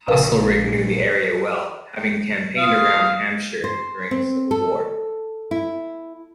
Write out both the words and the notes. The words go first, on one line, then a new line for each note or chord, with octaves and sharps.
Haselrig knew the area well having campaigned around Hampshire during the civil war.
A#1 A#4 B4 F5
F4 F5 D#6
C5
C4
A4
E4